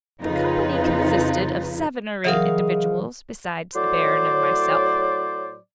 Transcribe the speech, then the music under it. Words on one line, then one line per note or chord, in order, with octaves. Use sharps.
The company consisted of seven or eight individuals besides the Baron and myself.
F2 C#3 D#4 F4 B4
C#3 E3 F#3 G#3 A#4 F5
A2 F#3 C5 D5